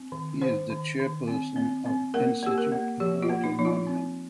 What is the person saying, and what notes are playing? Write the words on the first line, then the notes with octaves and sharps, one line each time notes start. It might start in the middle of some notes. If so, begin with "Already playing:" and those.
He is the chairperson of Institute of Water Modelling.
Already playing: C4
D#3
D#3 C5
D#3
D#3
C4
C4
C4
A#3 A#4
A#3 G4
A#4
A#3
F3 G4
F4
A#3
D#4
F3 D#4
F4
C4